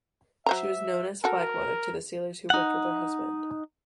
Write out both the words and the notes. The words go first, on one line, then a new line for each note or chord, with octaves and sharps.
She was known as "Flag Mother" to the sailors who worked with her husband.
F#3 C5 E5 A#5
F#4 A4 A#4
D#4 F#5